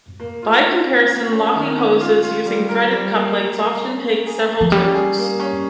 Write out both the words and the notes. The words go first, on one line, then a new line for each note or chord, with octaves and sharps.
By comparison, locking hoses using threaded couplings often takes several turns.
A#3
F4
F4
C#4
A#3
C#4
D#3
C#4
F4
F4
G3
A#4
G3
A#3
G3
A#3
C#4
A#3
G#4
A#3
F3
G3 C#4
G#4
A#3
C#4